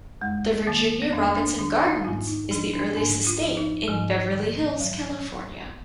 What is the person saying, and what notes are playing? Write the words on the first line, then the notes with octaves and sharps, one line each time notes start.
The Virginia Robinson Gardens is the earliest estate in Beverly Hills, California.
F2 G#3
D#3 A#3
B3
F2 D4
D4
D#3 D4
D#4
G#2 F4
D#4
F3 D4
D4
G#2 D4
F4
F3
D#4
G#2 F3
D#3
F#3